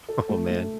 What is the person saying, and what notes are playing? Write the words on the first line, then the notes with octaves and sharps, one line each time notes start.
Oh, man.
A4
A3
A3